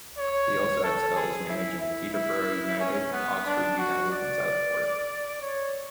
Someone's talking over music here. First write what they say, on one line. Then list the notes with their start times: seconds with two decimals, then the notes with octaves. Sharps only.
He has also had spells managing Peterborough United, Oxford United and Southport.
0.18 C#5
0.84 A4
1.16 G#4
1.49 E4
1.81 E4
2.14 E4
2.80 C#4
3.12 B3
3.46 D4
3.78 F#4
4.11 D5
5.41 C#5